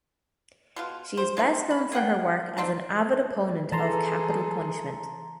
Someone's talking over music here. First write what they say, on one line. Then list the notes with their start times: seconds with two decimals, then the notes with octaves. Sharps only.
She is best known for her work as an avid opponent of capital punishment.
0.76 B2 G#3 F4
1.17 C5
1.37 G#3 C4 D4 D#4
1.70 B5
1.92 A#3 G#4 F#5 G5
2.57 F3 C4 D4 D#4
3.72 E3 G#4 A4 A5 A#5 C6